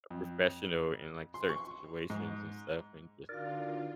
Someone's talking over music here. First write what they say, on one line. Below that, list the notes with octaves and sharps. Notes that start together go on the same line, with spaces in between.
a professional in, like, certain situations, and stuff and just
F2
C6
C#6
G#2
D3 D#4 F4 F#4 A#4 D5 F5